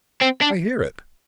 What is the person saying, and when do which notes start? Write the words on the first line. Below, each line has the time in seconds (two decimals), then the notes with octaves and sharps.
I hear it.
0.22 C4
0.42 D4